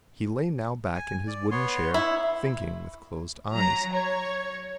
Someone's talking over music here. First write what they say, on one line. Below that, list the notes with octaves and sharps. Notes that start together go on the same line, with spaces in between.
He lay now back in his wooden chair, thinking with closed eyes.
G#5
D5
B3 C#5 C6
E4
F#3 A#5
C#5